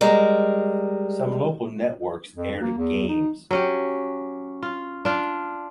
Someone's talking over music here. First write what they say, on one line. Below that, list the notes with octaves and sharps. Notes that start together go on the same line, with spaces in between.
Some local networks aired games.
G3 G#3 A#4
F2
A#3
E2
D#4
F#3 C#4 G4
F4
D4 F4